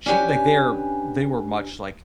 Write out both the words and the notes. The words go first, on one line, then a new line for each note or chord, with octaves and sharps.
she like, they're they were much, like,
C#4 D4 E4 G4 B4 G#5